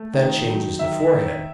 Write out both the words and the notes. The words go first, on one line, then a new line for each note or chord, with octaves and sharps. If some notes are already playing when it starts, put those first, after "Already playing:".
That changes the forehead.
Already playing: A3
D#3
F#3
D#3 E5
D#3